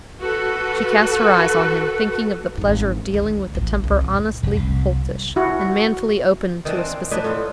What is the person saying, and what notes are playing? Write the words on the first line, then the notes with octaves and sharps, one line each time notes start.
She cast her eyes on him, thinking of the pleasure of dealing with a temper honestly coltish, and manfully open to a specific.
F#4 A4 B4
G#1 G#2
D2
A1 D2
C2
F2 A#2
F1
C2
E4 F#4
D#3 E3 D4 D5
C4
A2 D4 D#4 B4
A2 F4 A4